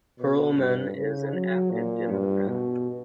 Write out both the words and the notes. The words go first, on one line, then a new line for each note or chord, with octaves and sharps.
Perlman is an active Democrat.
B2
G2
C#3
F#3
A#2
G2
B2